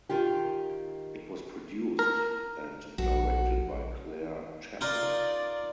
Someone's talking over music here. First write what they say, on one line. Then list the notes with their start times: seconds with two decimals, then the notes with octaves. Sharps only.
It was produced and directed by Clare Chapman.
0.09 D#3 F4 G4
1.99 A#4
2.98 A#1 F#4 A4
4.81 D#4 F4 A#4 D5